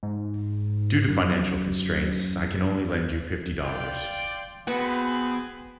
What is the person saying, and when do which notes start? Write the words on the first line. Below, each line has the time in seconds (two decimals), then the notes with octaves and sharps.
Due to financial constraints I can only lend you fifty dollars.
0.03 G#2
1.08 F#2
3.64 F4 D5 G5
4.67 B3 C4 F#4 G#4 B4